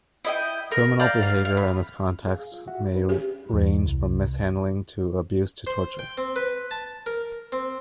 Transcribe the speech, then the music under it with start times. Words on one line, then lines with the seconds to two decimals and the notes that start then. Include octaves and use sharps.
Criminal behavior in this context may range from mishandling to abuse to torture.
0.25 E4 D#5 G5
0.72 A#4
1.00 D5 F5 G5 A#5
1.23 F5
1.45 F5
1.57 B5
2.27 G#4 F5
2.52 F4
2.67 F#4 E5 F#5
2.95 D4 B4
3.09 C#4 G4 G#4
3.53 E2
3.86 C2
5.67 C5
5.99 G5
6.18 C4
6.36 B4
6.71 A5
7.06 A#4
7.52 C4